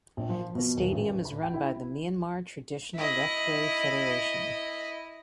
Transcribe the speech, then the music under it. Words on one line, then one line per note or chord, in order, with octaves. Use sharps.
The Stadium is run by the Myanmar Traditional Lethwei Federation.
A#1
F3
B2
D#1
A1
B5
G5
E4
E4 D#5